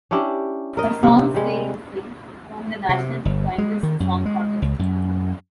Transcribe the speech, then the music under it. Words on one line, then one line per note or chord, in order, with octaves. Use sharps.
Her song, "Se in Se" won the National Finals Song Contest.
C#4 D4 E4 G4
A#4 D#5
C3
G3 G#3
C3
G1
G#3
D#3
F#2
G#3
C#2
F#2